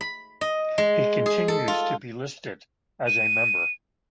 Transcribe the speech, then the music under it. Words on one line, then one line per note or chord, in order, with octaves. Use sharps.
He continues to be listed as a member.
B5
D#5
G#3
G#4
A4
F4
D#7